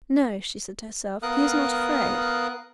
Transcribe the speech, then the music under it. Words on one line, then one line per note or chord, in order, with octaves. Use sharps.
"No," she said to herself, "he is not afraid."
B3 A#4 F5 D#6 F#6